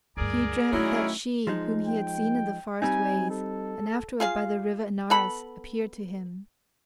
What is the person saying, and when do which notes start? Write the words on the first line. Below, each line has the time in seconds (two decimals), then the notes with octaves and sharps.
He dreamt that she whom he had seen in the forest ways and afterward by the River Anaurus appeared to him.
0.17 D2 G2 G#4 A#4 D5
0.73 D#3 F#3 G#3 A3 C#4 D#4 E4
1.47 F3 G#3 D#4
1.87 G5
2.82 G3 C4 D#4 G#5
3.30 A4
4.20 F4 G#4 F5
5.10 B3 A4 B5